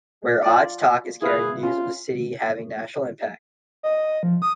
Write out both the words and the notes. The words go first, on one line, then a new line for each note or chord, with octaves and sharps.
Where Aaj Tak is carrying news of the city having national impact.
F4 D5
E4 G#4 B4 F5
C#4 F4
D#5
F3
D#6